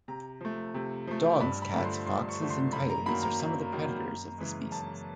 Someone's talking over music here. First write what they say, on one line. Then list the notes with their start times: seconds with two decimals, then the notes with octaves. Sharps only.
Dogs, cats, foxes, and coyotes are some of the predators of the species.
0.08 C3 A#5
0.41 F3 A3
0.74 C3
1.07 F3 A3
1.40 G2 B5
1.62 B5
1.69 A#5
1.74 D3 F3 A3 B5
1.85 C6
2.07 G2 C6
2.29 C#6
2.40 D3 F3 A3
2.50 C6
2.73 F#2 B5
2.90 A#5
3.06 D#3 F#3 A#3 B5
3.23 A#5
3.39 F#2
3.72 D#3 F#3 A#3
4.05 F#2
4.38 C#3 E3 G#3
4.72 F#2 A5